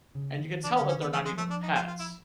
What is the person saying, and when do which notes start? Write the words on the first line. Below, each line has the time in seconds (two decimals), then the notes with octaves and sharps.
And you could tell that they're not even pets.
0.15 C#3
0.40 D#3
0.64 E3 D4
0.77 C#4
0.81 D3
0.89 C#4
0.97 D#3 B3
1.13 E3 A3
1.25 G#3
1.32 F#3
1.38 F3 A3
1.51 D4
1.63 D#4
1.75 F4
1.88 F4
1.99 E4